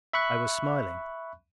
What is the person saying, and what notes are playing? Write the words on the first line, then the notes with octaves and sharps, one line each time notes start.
I was smiling.
E5 B5 C#6 F#6